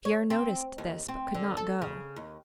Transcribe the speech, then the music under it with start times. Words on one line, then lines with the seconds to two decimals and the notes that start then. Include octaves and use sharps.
Pierre noticed this but could not go.
0.05 C#5
0.30 C4
0.78 D#2
1.08 C4
1.34 D3
1.57 A4
1.82 C#3
2.16 D#2